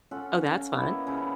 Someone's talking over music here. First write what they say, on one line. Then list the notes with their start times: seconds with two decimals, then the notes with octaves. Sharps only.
Oh, that's fun.
0.11 C#4 F4 A4 F#5
0.75 A#3 B3 E4 D#5
1.07 C#3 F3 E4